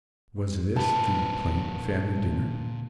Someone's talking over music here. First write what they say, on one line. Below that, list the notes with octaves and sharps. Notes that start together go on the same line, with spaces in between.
Was this the plain family dinner?
A#2 B4 A5